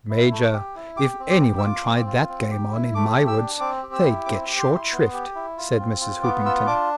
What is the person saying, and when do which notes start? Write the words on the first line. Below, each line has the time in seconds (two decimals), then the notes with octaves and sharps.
"Major, if any one tried that game on in my woods they'd get short shrift," said Mrs. Hoopington.
0.10 E4
0.31 A3
0.53 G4
0.76 E4
0.97 G4 D6
1.20 C4
1.30 D6
1.41 G4
1.58 E6
1.63 F4 D6
1.85 C4
2.07 F4
2.29 C4
2.51 G4
2.72 E4
2.95 A3 D6
3.17 G4
3.28 E6
3.38 D4
3.60 C4 D6
3.83 G4
3.93 E6
4.04 E4
4.26 C4 D6
4.48 G4
4.59 C6
4.70 E4
4.92 B3
5.13 G4
5.35 E4
5.57 F4
5.79 C4
6.01 F4
6.23 B3 D6
6.45 F4 E6
6.67 D4 D6